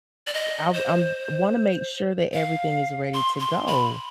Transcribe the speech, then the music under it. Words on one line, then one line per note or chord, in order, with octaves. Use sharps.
I've I'm wanna make sure that everything is ready to go,
D5
D#5
C5
F5
C6
C6
B5